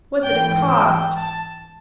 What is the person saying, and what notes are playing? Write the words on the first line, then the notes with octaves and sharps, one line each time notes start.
"What did it cost?"
G#2 E3 G5
G5
A5